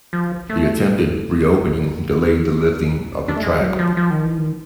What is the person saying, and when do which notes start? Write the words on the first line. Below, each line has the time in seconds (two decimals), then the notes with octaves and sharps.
The attempted re-opening delayed the lifting of the track.
0.13 F3
0.50 A3
1.77 A#3
2.87 B3
3.01 C4
3.15 C#4
3.28 D4
3.37 A3
3.43 G#3
3.60 F#3
3.79 F3
3.97 F3
4.11 D#3
4.24 E3
4.38 D#3